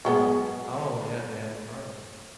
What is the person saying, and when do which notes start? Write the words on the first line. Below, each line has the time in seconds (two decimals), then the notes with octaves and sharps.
Mm. Oh, yeah, Dan Carlin.
0.05 F#3 G#3 B3